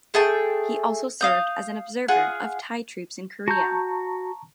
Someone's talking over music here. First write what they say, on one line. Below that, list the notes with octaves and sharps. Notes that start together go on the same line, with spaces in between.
He also served as an observer of Thai troops in Korea.
A3 G#4 G5 A5
F5 D#6 G6
F4 G#4 F#5
F#4 A5 A#5 C#6 G6